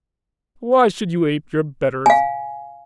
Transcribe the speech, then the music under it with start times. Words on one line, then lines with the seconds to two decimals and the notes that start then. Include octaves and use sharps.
Why should you ape your betters?
2.06 F5 G#5